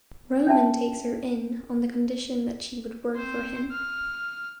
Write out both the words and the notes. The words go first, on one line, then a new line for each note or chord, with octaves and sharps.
Roman takes her in on the condition that she would work for him.
C#4 D4 F4 E5 G5 A5
C4 C5
F6